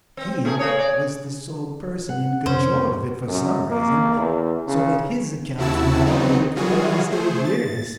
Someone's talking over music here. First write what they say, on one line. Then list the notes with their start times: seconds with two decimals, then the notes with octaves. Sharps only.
He was the sole person in control of it for some reason, so that his accounts were not audited for the last eight years.
0.17 C4
0.45 B2 A3 G#4
0.59 A3 G#4 C#5
0.79 D5
2.09 F#5
2.46 F2 C3 C#4 C5
3.28 F#2
3.70 A#3
4.16 E2
4.67 C#3
5.58 D#2 C#3 E4 F#4 A5 E6
6.05 C#3 F#3 B3 C4 D#4
6.56 F#3 G3 F4 F#4 G#4
7.10 A3 G#4 C5
7.45 A6